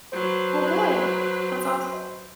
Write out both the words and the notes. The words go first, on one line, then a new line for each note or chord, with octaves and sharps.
Oh, good, that's awesome.
F#3 B4 C5